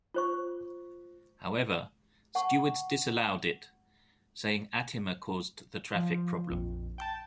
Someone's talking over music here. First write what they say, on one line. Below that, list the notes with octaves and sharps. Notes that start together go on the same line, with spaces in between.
However, stewards disallowed it, saying Attima caused the traffic problem.
F4 C5 C#6
F#5 A5 C#6
F3
A#1 F2
G5 A5